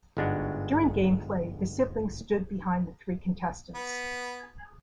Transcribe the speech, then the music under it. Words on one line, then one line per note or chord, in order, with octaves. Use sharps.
During game play, the siblings stood behind the three contestants.
G1 G#2 G#3 D4 F#4 F#5
B3